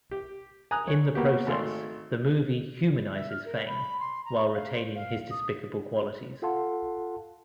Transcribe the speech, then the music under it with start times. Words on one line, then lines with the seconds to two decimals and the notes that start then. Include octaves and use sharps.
In the process the movie humanizes Feng while retaining his despicable qualities.
0.11 G4
0.71 G#5 A#5 D#6 F#6
0.88 C#5
1.15 A#3 B3 F#4 G4
1.47 G#1 A3 F5 C6
3.14 E5
3.30 F6
3.45 A#4
3.67 B5
4.00 C6
4.25 A#5
4.54 F5
4.74 C5
4.95 F5
5.31 D#6
6.42 F4 A4 F5 F#5 A5 C6